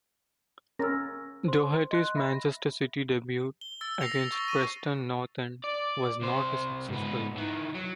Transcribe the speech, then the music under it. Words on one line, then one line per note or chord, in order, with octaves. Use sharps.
Doherty's Manchester City debut, against Preston North End, was not a successful one.
C#4 A#4 E6 A6 A#6
C5 C6
D#5 C6 F#6
E5 B5 A#6
G7
E6 A6 G7
A#6 C7 C#7 F7
C#6 A6
C#6 A#6 D#7
D5
C2 C5
G#2 B3
D#3 E3
F#3